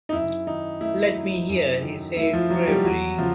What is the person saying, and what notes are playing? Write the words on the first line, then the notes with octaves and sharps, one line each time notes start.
"Let me hear," he said gravely.
D#4
F#2 E4
D#3 D#4
A3 E4
F#3
F#2
D#3
A3 E4
F3 F4
F#3 F#4
G3 G4
E2 F#3 F#4
C#3 F3 F4